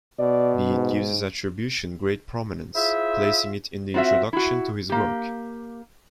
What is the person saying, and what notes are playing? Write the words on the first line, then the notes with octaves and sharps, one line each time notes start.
Bede gives this attribution great prominence, placing it in the introduction to his work.
B2 D5
G#2
E4 F4 G#4 C5 E5
C4 F4 F#4 C#5 E5
E4 F#4
A#3 G4